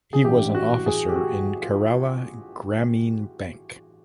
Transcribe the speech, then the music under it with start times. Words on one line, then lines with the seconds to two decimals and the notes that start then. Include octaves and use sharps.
He was an officer in Kerala Grameen Bank.
0.13 G#4
0.24 A1 G2 E3 G4
0.55 F#4
0.86 G#4
1.09 G4
1.16 F#4
1.62 F4